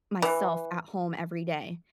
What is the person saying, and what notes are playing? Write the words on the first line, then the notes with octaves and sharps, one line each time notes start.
myself at home every day,
E3